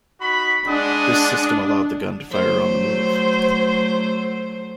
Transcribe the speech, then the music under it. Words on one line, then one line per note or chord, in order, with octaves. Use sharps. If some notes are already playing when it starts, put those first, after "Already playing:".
This system allowed the gun to fire on the move.
D#4 F#4 B5
G#3 D4 F#5 D#6
F#3 A3 C5